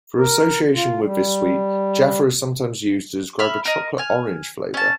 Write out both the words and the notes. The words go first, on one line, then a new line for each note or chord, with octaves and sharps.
Through association with this sweet, Jaffa is sometimes used to describe a chocolate-orange flavour.
A#4
F4
G3
E5 B5 F6
A#4 D#5
G#5 F6
C#4 A5